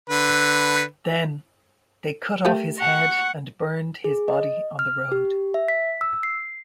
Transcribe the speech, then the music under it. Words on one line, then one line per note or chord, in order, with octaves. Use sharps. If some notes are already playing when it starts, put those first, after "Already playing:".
Then they cut off his head and burned his body on the road.
D3 B4
A3 G4 A#4
F#5 C#6
G#4
D#5
F6
G4
E5
B6
E6
C7